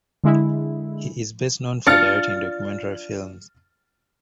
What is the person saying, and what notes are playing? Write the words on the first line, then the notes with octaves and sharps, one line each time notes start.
He is best known for directing documentary films.
D3 G#3 E4
D4 F4 F6 A6 C#7